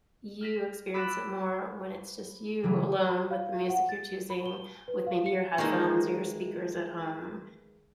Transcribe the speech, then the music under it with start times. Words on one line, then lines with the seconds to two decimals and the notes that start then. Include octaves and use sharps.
you experience it more when it's just you alone with the music you're choosing with maybe your headphones or your speakers at home?
0.41 F6 A#6 B6
0.94 B5 D6 E6 F#6 A6 A#6
2.63 C#3 E3 F#3 G3
3.09 B5
3.31 F5
3.70 F#5
3.89 A6
4.30 B5
4.46 G7
4.88 B4
5.07 F5
5.26 C#7
5.58 D#3 E3 G#3 A#3